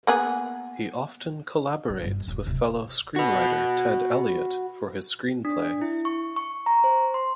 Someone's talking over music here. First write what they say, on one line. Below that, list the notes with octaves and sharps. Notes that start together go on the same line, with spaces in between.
He often collaborates with fellow screenwriter Ted Elliott for his screenplays.
A#3 B3 G#4
G2
G1 G3
E1
D1 C3
F#4 B4
D4
E4
C#6
C#6
A#5
C5
C6